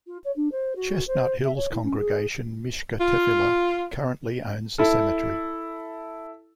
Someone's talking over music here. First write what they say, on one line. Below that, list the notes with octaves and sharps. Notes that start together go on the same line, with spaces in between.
Chestnut Hill's Congregation Mishka Tefila currently owns the cemetery.
F4
C#5
D4
C5
F#4
C5
E5
C#5
E4
C#4
G#4
F4
E4 A4